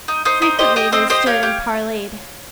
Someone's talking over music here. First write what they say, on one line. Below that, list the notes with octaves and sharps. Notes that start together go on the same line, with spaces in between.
Frequently they stood and parleyed.
D#4
D#4 C5
D#4
G4 C5 D#5
G4 D#5 G5
C4 C5 D#5
G4 C5 D#5
G4 C#5 F5
G4